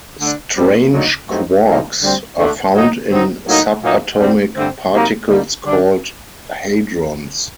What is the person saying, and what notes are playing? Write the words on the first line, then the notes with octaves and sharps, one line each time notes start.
Strange quarks are found in subatomic particles called hadrons.
D3 A3 D4
A2 G3 C4
D2 D3 F#3 A#3 D#4
G2 F#3 A3 C4 D#4
A2 F#3 A#3 D#4
D2 D3 G3 C4
D2 D3 A3 D4
A#2 F#3 A#3 D#4
D3 F#3 C4 D#4
A2 F#3 A#3 D#4
A#2 F#3 A#3 D#4
D2 D3 G3 C4
G2 D3 A3 C4
C3 F#3 A#3 D#4
D2 D3 G3 A#3 D#4
D3 G3 D4